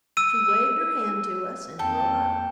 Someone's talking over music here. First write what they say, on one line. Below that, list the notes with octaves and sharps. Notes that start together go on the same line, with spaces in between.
She waved her hand to us and drove up.
E6 D#7
F2 A#3 A4 G5